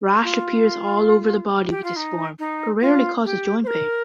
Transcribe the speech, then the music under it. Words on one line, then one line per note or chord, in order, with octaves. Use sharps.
Rash appears all over the body with this form, but rarely causes joint pain.
F4
G4
F4
D#4
D#4
F4
G4
C5
A#4